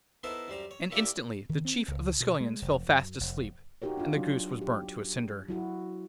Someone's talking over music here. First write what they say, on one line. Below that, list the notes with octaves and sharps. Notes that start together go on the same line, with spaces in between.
And instantly the chief of the scullions fell fast asleep, and the goose was burnt to a cinder.
B3 D#4 E4 A4 A#4 C5
F#2 G3 C5 A#5
C#5
A#2 A#3 E4 G4 C#6
D#3
C4
C#2
B2
G#3
F1
F#2
F1
D#4 F#4 G4 A#4 C#5
D4 F4
F#3 D4
G4
F#3 E4 F#4